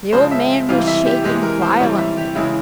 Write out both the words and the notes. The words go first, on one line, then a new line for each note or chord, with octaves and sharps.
The old man was shaking violently.
C#3 F3 G#3 C5
E5
C3 E3 G3 F5
E5
G4
C3 E3 G#3 G4
A#4
C5
C3 E3 G3 C#5
E5
G4
C#3 E3 G#3 E4